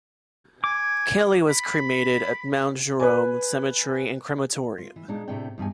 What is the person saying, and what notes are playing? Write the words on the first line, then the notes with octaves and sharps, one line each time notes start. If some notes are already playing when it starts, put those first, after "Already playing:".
Kelly was cremated at Mount Jerome Cemetery and Crematorium.
G#5 D6
B5
B4 G#5
F4
E3
A#2 G#3 D4 D#4
A2 C3 A3 C4 D4 G5
E2 G2 B2 G#5